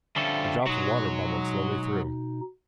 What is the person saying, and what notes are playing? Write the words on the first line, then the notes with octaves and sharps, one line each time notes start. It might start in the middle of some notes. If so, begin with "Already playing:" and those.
A drop of water bubbled slowly through.
D3 F3 G3 C#4 A4 E5 F5 G5
B2 F#3 G#3 D#4 F#4